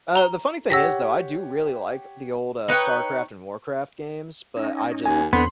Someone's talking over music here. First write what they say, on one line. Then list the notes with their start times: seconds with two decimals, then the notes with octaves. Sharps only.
Uh, the funny thing is though, I do really like the old, uh, StarCraft and Warcraft games, but I just
0.15 A#5 G7
0.70 G4 C#5 F#5 E6 A#6 B6
2.68 D#4 B4 C#5 G5
4.57 C#4 D#4
5.05 D#2 G#5
5.33 E2 D3 B3 C4 B5 C6